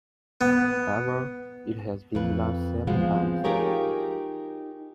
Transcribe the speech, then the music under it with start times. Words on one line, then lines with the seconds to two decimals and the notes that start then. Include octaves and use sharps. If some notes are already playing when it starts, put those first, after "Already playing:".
However, it has been last seven times.
0.41 B3
2.15 F2 B4
2.87 F3 G#3 B3 C4 F4
3.44 D#4 F4 G4 G#4 A#4 C#5